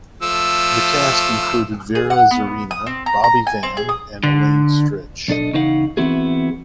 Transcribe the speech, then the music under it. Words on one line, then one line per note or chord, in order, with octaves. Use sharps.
The cast included Vera Zorina, Bobby Van, and Elaine Stritch.
F3 A3 E6
G#4
F#5
B3
D#6
C4
A#5
A#5
G#5
C4
G#4
D#6
D3
B1 D4 A4 D#5
E2 C#3 D#4 C5 F5 F#5
E3 B3 C4 E4 F#4 G#4